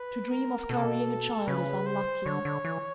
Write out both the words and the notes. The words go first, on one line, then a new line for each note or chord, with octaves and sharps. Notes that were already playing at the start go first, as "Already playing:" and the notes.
To dream of carrying a child is unlucky.
Already playing: B4
A#4
B2 A4
C3
B2
C#3 B4
C5
D3 C#5
D3
E3